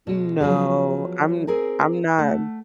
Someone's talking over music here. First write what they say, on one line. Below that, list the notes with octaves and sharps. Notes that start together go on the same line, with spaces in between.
No, I'm I'm not
B2 G#3
F3 F#3 B3 G#4
C4 G#4 A#4 G#5
A3 F#5